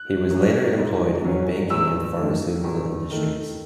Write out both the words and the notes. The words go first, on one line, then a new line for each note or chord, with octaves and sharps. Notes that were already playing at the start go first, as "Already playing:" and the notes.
He was later employed in the banking and pharmaceutical industries.
Already playing: F#6
F#3 C#4
G#2
F#3 C#4
E2 E6
D#3 A3
E2
D#3 A3